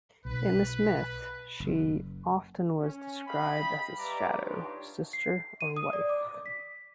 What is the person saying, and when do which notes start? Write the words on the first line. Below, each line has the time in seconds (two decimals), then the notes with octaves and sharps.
In this myth she often was described as his shadow, sister, or wife.
0.25 B1 B4
1.60 F#1
2.79 C#4
3.27 D#5 F5 G5 B5
3.98 G3 B4 D5 E5 A#5 D6
4.39 D4 D#4 F4 G4 B4 C#5
5.13 C7
5.61 D#7
5.77 D#6
5.93 D5
6.09 D6
6.46 B6